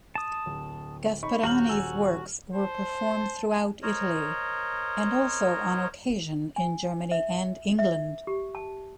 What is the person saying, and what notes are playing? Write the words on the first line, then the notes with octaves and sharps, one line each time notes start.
Gasparini's works were performed throughout Italy, and also on occasion in Germany and England.
A5 D#6
D1
D#4 B5 C#6
D#1 F#4 A#5 F6 G6 F#7
D#1 G#5 E6
C5 A5
A#4 C5 C#5 D#5
G#5
E5
E5
G4
A5